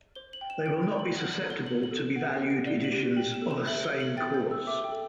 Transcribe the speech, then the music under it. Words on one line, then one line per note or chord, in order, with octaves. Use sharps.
They will not be susceptible to be valued editions of a same course.
C5 G7
F#7
G5
E7
G5 D7
D7
C5
F#7
F#5 F#7
F#7
A4
G7
C5 F#7
F#7
A4
E7
F#5 D7
C7
G4
C7
D5 G7
F#7
G4
G7
G5 F#7
E7
A4
E7
E5 F#7
G7
A4
F#7
G5 A6
G6
A4
E6
E5 D6
G5
A4